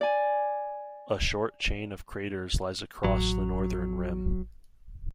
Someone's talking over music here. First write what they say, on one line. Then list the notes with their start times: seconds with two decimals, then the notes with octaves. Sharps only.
A short chain of craters lies across the northern rim.
0.01 D5 G#5
3.04 A1 F#3